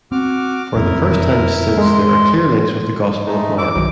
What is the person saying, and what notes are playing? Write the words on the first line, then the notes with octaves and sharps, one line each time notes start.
For the first time since there are clear links with the Gospel of Mark.
C4 F#4 D6 F6
F1 F#2 C3 E4 A#4
G#3 C6
G#3 A3 D#4
E3 D6 E6
B1 G2 D#3 F#3